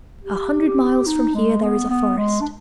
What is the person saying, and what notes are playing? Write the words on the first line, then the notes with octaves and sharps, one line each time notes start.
A hundred miles from here there is a forest.
G4
G4
D#4
G#3
B3
B3
G#3
D4